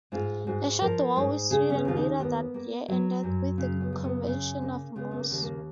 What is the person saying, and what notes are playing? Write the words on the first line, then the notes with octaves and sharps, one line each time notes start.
A short war with Sweden later that year ended with the Convention of Moss.
G#2 F4
G#2 F#4
F3 A#4
G#2
C#3 G#4
C#4
B3
D#2 F4
D#4
A#3 B3
A#3
F#3
F#2
C#3 C#4
B3
F#2
B3
C#3 C#4
A#3
C#3 B3
B3
A#3
D#2
A#3